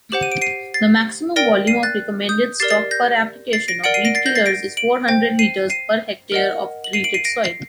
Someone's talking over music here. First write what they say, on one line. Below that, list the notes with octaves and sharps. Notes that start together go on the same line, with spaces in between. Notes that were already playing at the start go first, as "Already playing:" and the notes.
The maximum volume of recommended stock per application of weed killers is four hundred liters per hectare of treated soil.
G4 C5 F#5 F#7
D#7
D7
C7 D#7
A6 C7
A#4 D5 G5 A#6 D7
C7 D#7
F#6 A6
D#6 G6
G4 A#4 D5 A6 C7
A6 C7
G6 A#6
A6 C7
A#6 D7
A#4 D5 F#5 D7 F#7
C7 D#7
A#6 D7
A6 C7
G6 A#6
A6 C7
A#6 D7
D7 F#7
C5 G5
C7 D#7
C7 D#7
A#4 D#5 F#5
F#7
C7 D#7
D7 F#7
C7 D#7
A#6 D7
C7